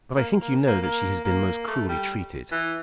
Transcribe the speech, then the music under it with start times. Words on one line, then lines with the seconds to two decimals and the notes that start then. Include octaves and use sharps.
"But I think you know that she has been most cruelly treated."
0.16 A#3
0.42 A#3
0.67 A#3
0.82 A#3
1.25 A#3
1.68 A3
1.88 G3
2.52 E3